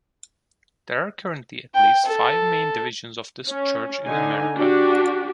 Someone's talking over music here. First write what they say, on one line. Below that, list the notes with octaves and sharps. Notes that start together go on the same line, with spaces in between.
There are currently at least five main divisions of this church in America.
G5
A4
C#4
D3 D#4 G#5
D4 F#4 G4